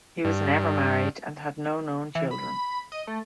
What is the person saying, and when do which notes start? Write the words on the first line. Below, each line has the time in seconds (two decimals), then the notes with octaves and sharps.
He was never married and had no known children.
0.25 G2
2.15 E3
2.31 B5
2.92 D#5
3.07 A3